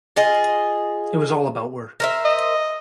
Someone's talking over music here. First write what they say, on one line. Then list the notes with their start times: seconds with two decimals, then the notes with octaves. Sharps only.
It was all about work.
0.16 F4 G#4 D#5
2.00 A#4 C5 E5
2.25 D#5